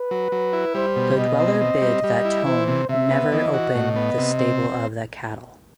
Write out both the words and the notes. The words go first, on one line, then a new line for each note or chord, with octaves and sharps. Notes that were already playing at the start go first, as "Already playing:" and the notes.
The dweller bid that Tone never open the stable of the cattle.
Already playing: B4
F#3
F#3
E4
G3 C5
B2
B2 D#5
C4
C4
G3
G3
E4
E3 C5
C3
C3 E5
B3
E3 D#5
F#4
A2 D#5
B3
C3
C4